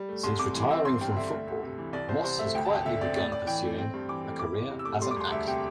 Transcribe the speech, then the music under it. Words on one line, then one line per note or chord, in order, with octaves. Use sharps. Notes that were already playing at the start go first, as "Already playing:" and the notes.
Since retiring from football, Moss has quietly begun pursuing a career as an actor.
Already playing: G3
A3
C2 C6
C3 D6
E3
C4 E6
G1 C6
G2 G5
D3 E5
A3
D2
C3
E3
C2 D5
C2 C5
C3 C5
A3 E5
D2 G5
A5
D2
G5
D3 E5
C4 D5
A2 D5
A2 D5
E3 G5
A3
C4 G5
G2
E3 D6
A3
E4 D6
E2
C3
E6
A3 D6
G3 C6
D6
E1 C6
D2 E5
C3 G5